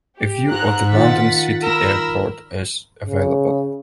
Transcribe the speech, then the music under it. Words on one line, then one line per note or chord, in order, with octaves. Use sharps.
A view of the London City Airport is available.
G4
G#2 A#5 F#6
D#3 D#4 F4 F#5 A6 B6
A#4 B5 E6 A#6
C#3